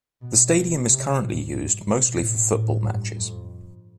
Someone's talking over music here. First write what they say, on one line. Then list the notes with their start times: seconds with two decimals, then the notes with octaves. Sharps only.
The stadium is currently used mostly for football matches.
0.22 B2
0.55 B2
0.87 C3
1.21 A2
1.54 G2
1.86 B2
2.19 A2
2.52 A2
2.85 G2
3.18 F2